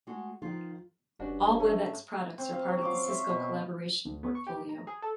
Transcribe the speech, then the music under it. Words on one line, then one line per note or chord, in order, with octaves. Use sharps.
All WebEx products are part of the Cisco collaboration portfolio.
G#3 A3 F#4
D#3 F3 F4
F1 G2 C#4 D4 F#4
A3 C#4 G#4
C4
F5
F#3
F4 C6 D6
C5 C#5 E5 F5
B2
D2
B3
C#6
G4
A#5
G#4
A4